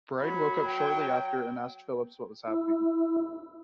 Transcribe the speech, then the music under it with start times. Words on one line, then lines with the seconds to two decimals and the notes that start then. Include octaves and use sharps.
Bride woke up shortly after and asked Phillips what was happening.
0.20 F#3 B5
0.67 G5
2.48 E4